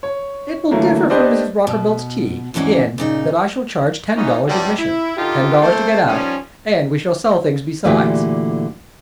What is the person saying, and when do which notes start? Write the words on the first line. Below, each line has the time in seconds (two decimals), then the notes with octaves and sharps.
It will differ from Mrs. Rockerbilt's tea in that I shall charge ten dollars admission, ten dollars to get out, and we shall sell things besides.
0.03 C#5
0.71 D3 E3 F#3 A3 A#3
1.10 D4 G4 B4 C5 D5 D#5
1.67 B2
2.54 E2 G#2 E3 C#4 F#4 D5
2.98 A#2 C#3 D#4
4.16 E3 B3 C#4 D#4
4.46 G2 C3 F#3 G3
4.78 E4
5.16 D3 D#4 F4 G4
5.61 A3 A#3 C4 A4 C5
6.07 D#3 F3 G3 C#4
7.84 A#2 D3 E3 A3 F#4 G4